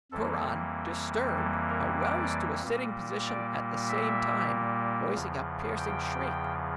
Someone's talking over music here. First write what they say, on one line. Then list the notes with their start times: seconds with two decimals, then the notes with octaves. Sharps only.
Turan, disturbed, arose to a sitting position at the same time voicing a piercing shriek.
0.12 F2 E3 G3 A#3 A4
1.37 A4
1.69 A#4
2.00 D5
2.64 A#2 G3 A#3
3.27 D5
3.89 E5
5.15 E2 C#3 F3
5.78 G5